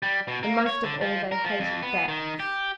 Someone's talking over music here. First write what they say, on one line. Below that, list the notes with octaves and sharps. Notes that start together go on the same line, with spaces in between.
And most of all they hated facts.
G3
B2
A#3
C#5
D3
F3
A#4
F3
F2
B3
D#3
G4